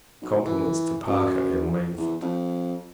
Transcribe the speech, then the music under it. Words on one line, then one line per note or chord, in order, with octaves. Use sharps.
Compliments to Parker and Langford.
B1
E3
F#2
E2
F2